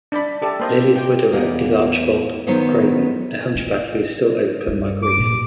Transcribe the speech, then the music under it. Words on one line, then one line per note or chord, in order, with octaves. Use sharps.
Lily's widower is Archibald Craven, a hunchback who is still overcome by grief.
D4 D5 B5
G4 A4 D5
A#3 C5 D#5
G4 G5
E2 A#3 B3 G4 D#5
D#3 F#3 B3 D#4 C5 C#5
F4
G2
D6
A#2